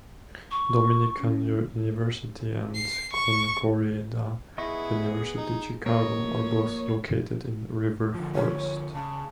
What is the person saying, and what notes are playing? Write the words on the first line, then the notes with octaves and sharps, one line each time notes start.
Dominican University and Concordia University Chicago are both located in River Forest.
C#6
C#4
C7
C#6
B3 E4 G#4 D#5 C#6
D#4
A#3 C#5 D#5
F3 A3
D3 F3
C#5
C#3 A5